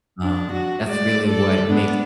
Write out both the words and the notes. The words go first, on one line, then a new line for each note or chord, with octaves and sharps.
um, that's really what makes
D4
F#4
G#3 D5
A4 D5
B3 D4